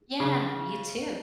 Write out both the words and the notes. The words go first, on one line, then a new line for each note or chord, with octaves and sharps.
Yeah, you too.
C#3